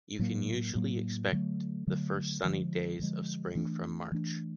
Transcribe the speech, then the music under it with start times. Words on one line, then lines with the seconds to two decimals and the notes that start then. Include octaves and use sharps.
You can usually expect the first sunny days of spring from March.
0.19 A2 F#3 A#3
0.75 A2 F#3 A#3
1.32 D3 F#3 A3
1.87 D3 F#3 A3
2.44 D3 F3 G#3
3.00 D3 F3 G#3
3.55 E3 A3 D4
4.12 E3 A3 D4